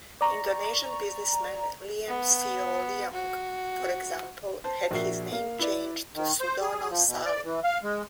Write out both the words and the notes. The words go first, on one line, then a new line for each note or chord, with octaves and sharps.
Indonesian businessman, Liem Sioe Liong, for example, had his name changed to Sudono Salim.
D5 A#5 C#6
B3
F#4
C5 A5
A#1 F#4 A#4 E5 C7
A#3 F5
E4 B4 D5
D#3
C5
G#4
F3
B2
D5
E3
F5
G#3